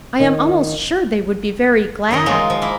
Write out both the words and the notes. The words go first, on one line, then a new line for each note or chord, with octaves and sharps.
"I am almost sure they would be very glad."
D#3
F#2 D#3 A#4 D#5
F#3 G#3 D#4 F4
F3
A#3 E4